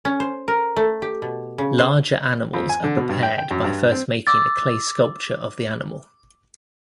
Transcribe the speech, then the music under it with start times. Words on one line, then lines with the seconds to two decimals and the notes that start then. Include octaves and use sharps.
Larger animals are prepared by first making a clay sculpture of the animal.
0.05 C#4
0.20 C5
0.48 A#4
0.76 A3
1.02 G4
1.22 B2
1.58 C#3
1.78 C5
2.54 F2
2.69 G#5
2.84 D3
2.97 B2
3.09 G2
3.23 G5
3.38 G5
3.51 F#2
3.64 G2
3.91 C4
4.27 D6 E6 A6